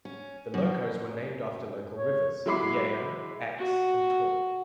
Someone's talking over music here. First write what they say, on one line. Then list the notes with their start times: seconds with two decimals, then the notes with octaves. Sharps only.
The locos were named after local rivers: "Yeo", "Exe", and "Taw".
0.05 C#4
0.54 F#2
1.96 C#5
2.46 F#3 G#3 E4 B5 D6 C7
3.59 F#4